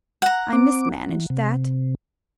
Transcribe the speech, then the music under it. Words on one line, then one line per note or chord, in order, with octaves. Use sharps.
I mismanaged that.
F#5 A#5
C4 D6
E3
C3